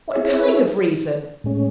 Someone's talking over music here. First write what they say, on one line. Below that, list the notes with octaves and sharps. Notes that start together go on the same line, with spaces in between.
'What kind of reason?'
C4 E4 G#4 C#5 E5
A2 G#3 C#4